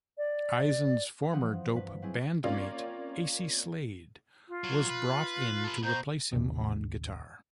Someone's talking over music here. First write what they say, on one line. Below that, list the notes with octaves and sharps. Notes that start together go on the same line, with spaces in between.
Eisen's former Dope bandmate Acey Slade was brought in to replace him on guitar.
D5
E3 F3 C4 F#5 D#6
G2 B4
F#3 C4 E4 G#4
A#3 C4 C#4 F4 D5 F5
F4
F#3
B4
A4 B4
B2 C5 A#5 G6
A1 D#2 C3 D#3